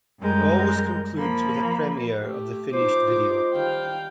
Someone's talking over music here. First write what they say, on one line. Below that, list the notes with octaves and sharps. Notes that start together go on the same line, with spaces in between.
It always concludes with a premiere of the finished video.
F#2 G3 G#3 A#4 G6
F3 A#3 B5
A3 G4
F3 D#4 C5 D6
G#3 F4
D#3 G3 F5 G5